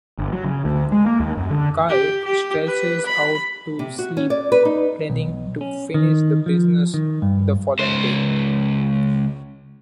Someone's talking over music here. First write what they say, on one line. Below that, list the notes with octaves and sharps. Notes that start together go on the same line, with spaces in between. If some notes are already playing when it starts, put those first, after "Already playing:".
Guy stretches out to sleep, planning to finish the business the following day.
G1
F#3
C#3
D2
G#3
A#3
D#2
F#2
D3
G4
G4
B4
B5
C3
F#4
C#4
D5
B4
D#4
B1
C#4
D#3
F3
D#3
G2
C#2 C5